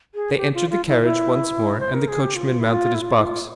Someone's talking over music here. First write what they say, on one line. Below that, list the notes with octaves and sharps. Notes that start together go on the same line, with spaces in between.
They entered the carriage once more, and the coachman mounted his box.
G#4
G4
F4
F4
E4
E4
C5
A#4
G#4
G4
F4
E4
F4
E4
F4
E4
F4